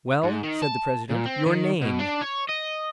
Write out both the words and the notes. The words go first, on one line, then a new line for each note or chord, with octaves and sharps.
"Well," said the president; "your name?"
G#2
D#3
A5
A#2
C4
D#3
B2
D4
C#5
D#5